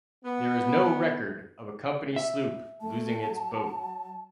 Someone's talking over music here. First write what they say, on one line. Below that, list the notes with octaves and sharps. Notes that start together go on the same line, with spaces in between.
There is no record of a Company sloop losing its boat.
B3
E5
A3 A5
F#3